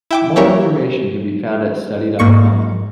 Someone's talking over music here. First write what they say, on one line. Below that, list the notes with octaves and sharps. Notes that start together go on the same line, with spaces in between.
More information can be found at Study dot com.
E4 G5 D6
A#3 C#4 E4 G4 A#4 C#5
G#2 A#3 C#6 C#7